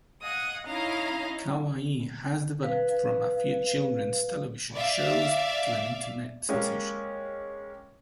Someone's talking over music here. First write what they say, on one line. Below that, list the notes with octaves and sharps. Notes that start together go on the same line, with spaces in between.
Kawaii has developed from a few children's television shows to an Internet sensation.
D#5 F5 F#5 G#5 D#6
C#4 D#4 E4 D#5 F5 A#5
B4 F5
D5 E5 F5
G#3 A#3 C#4 G4